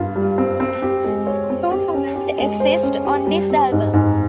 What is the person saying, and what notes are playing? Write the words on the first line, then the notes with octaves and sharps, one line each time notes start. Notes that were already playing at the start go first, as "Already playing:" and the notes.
Two covers exist on this album.
Already playing: G2 F4
G3
C4
C4
G4
G#3
C#5
C4
G4
C#4
G4
G#3
C5
C#4
G4
G3
C4
G#2
G#2